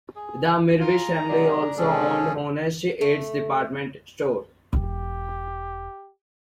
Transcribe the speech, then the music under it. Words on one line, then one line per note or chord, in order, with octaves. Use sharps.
The Mirvish family also owned Honest Ed's department store.
G#4
F4 G#4 A#5
C3 F#3 G#3 D4
C3 F3 G#3 C#4 G#4 A4
A3
E1 G4